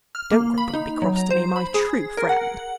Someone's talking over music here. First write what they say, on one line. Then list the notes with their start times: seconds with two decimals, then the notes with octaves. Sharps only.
Don't grumble and be cross to me, my true friend.
0.15 F6
0.31 A#3
0.58 B5
0.74 D#4
1.02 F#3
1.16 A#5
1.30 C5
1.56 B5
1.74 G#4
2.17 A#4
2.29 F#5